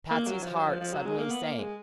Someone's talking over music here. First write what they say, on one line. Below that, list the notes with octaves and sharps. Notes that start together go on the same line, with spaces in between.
Patsy's heart suddenly sank.
A#3
F#3
F3
F#3
F3
F3
F#3
G#3
A#3
B3
A#3
G#3